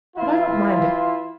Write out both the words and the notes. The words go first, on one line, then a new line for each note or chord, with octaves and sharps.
But I don't mind it.
E3 E4 F4